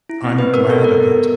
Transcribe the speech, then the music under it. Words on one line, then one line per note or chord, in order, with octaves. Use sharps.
I'm glad of it.
E4
C4
B3 B4
B3 A#4
B3 A4
B3 A#4
B3
B3